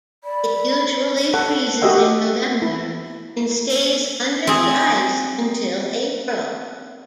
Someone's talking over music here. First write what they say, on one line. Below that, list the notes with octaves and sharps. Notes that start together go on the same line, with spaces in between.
It usually freezes in November and stays under the ice until April.
D5 B5
A4 F#5
F#4 G4 D#5 E5 F#5
E4
C4 G#4